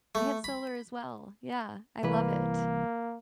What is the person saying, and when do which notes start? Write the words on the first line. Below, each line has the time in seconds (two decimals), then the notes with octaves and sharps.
I have solar as well, yeah, I love it.
0.15 A3
0.44 B5
2.03 C2 E3 A#3 B4